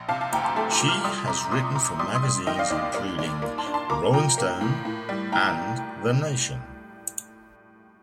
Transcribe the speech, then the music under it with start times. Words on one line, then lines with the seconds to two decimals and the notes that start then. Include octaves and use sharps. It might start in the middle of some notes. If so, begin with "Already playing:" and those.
She has written for magazines including "Rolling Stone" and "The Nation".
Already playing: A#1
0.08 C3 F5 A5
0.21 F5 A5
0.33 D2 G5 A#5
0.44 A5 C6
0.56 A3 A5 C6
0.72 A#5 D6
0.80 F3
0.88 D6 F6
1.04 G3 C6 D#6
1.27 C3 A#5 D6
1.52 C3 C6 D#6
1.75 C3 A#5 D6
1.99 G3 C6 D#6
2.15 C6 D#6
2.23 G3
2.47 D#3 D#5 G5
2.59 D5 F5
2.70 D#2 D5
2.94 A#3 D5
3.19 D#2 D5
3.42 A#3
3.58 A5 C6
3.66 D4
3.74 A5 C6
3.90 A#3 A#5 D6
4.14 F3 G5 A#5
4.38 A#3
4.61 A2
4.85 A2
5.09 G3
5.32 A2 G5 A#5